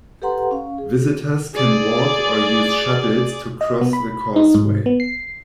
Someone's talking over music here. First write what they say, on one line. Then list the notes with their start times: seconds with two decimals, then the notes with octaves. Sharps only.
Visitors can walk or use shuttles to cross the causeway.
0.22 G4 A4 B4 F#5 A#5 C6
0.51 C#4 F5
0.78 G#4
1.54 G#4 D5
3.61 D#5
3.81 B3
3.93 B5
4.36 D#4
4.55 G#2
4.86 B3
5.00 C7